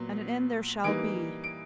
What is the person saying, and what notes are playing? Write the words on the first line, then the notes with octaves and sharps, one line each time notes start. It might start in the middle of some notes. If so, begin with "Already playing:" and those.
And an end there shall be.
Already playing: A#2 F#3 B3
E3 G3 A#3 D#4 D7
D7